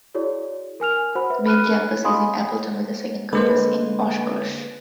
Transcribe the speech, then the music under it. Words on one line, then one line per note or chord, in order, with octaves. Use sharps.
The main campus is in Appleton with a second campus in Oshkosh.
E4 F#4 G#4 C#5 D5
A#4 G#5 F6 F7
F#4 C5 F#5 B5
B4 E5
B5 F6 F#6 D#7
D#5 F5 G#5 B5 C6 D#6
D3 G#3 A#3 B4 C5